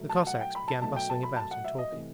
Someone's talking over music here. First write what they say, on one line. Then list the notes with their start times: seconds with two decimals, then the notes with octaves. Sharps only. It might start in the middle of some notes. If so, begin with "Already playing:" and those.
The Cossacks began bustling about and talking.
Already playing: B2 F#3 A3
0.09 A5
0.27 F#5
0.41 G5
0.55 B5
0.68 A5
0.82 B2 F#3 A3 A5
0.96 G5
1.10 A5
1.23 B5
1.36 A5
1.51 F#5
1.64 E5
1.78 D#5
1.91 C3 E3 A3